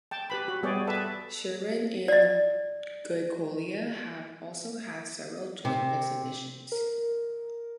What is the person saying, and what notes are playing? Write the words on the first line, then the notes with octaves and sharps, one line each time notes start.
Sherman and Goicolea have also had several joint exhibitions.
G5 A5
G4 B4 B5
F#4
G3 B3 G#4 C#5 D5 G5
A4 B4 E5 A5
D5 D#5
C3
A#4